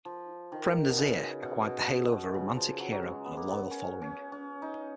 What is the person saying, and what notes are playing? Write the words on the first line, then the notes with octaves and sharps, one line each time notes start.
Prem Nazir acquired the halo of a romantic hero and a loyal following.
F3
D#3
B2
C#3
B2
B2
B2
B2
C#3
F3
F#3
F#3
G#3
B3
A#3
B3
C#4
C#4
C#4
D#4